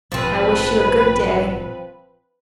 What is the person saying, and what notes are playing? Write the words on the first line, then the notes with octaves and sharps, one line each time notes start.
"I wish you a good day."
A#1 G#2 D3 F3 C4 B4